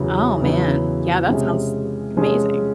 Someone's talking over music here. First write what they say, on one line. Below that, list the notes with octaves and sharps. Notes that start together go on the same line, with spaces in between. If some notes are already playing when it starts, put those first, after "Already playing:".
Oh, man. Yeah, that sounds w amazing.
Already playing: E2 C#3 F#3 B3 E4
E2 C#3 F#3 B3 E4
C3 F3 G#3 C#4
C3 F3 G#3 C#4